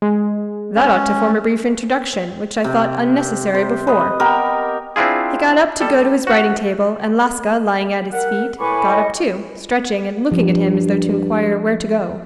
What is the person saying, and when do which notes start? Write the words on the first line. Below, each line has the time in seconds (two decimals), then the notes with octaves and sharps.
"That ought to form a brief introduction, which I thought unnecessary before." He got up to go to his writing table, and Laska, lying at his feet, got up too, stretching and looking at him as though to inquire where to go.
0.02 G#3
0.76 C#4
2.64 C3
3.55 C5
3.87 B4 D#5
4.20 B3 G4 A#4
4.96 C4 D4 E4 F4 G#4
5.81 G3 A4
6.27 F#4 F#5
8.13 A#4 F#5
8.60 A2 B4 G#5 B5 C#6 D6
8.85 D#5
10.32 G2 F3